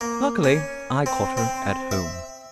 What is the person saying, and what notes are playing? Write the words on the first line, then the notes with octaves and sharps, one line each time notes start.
Luckily, I caught her at home.
A#3
C#4
C4
C4
E5